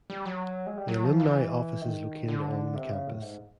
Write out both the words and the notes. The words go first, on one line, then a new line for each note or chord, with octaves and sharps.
The alumni office is located on the campus.
G3
F#3
G#3
G3
F#3
F3
E3
D#3
D3
C3
C#3
A2
G#2